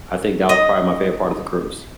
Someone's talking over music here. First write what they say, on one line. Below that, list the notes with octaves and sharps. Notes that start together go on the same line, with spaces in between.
I think that was probably my favorite part of the cruise.
D#5